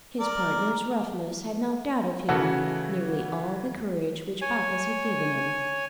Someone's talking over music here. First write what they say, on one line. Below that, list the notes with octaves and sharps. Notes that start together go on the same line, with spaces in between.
His partner's roughness had knocked out of him nearly all the courage which Bacchus had given him.
A#4 D5
C#3 E3 A3 F#4 A4 F#5
C#5 G#5